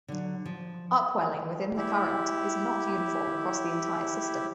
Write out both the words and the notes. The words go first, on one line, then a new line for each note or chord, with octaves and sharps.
Upwelling within the current is not uniform across the entire system.
D3 F#3
F3
E4 G4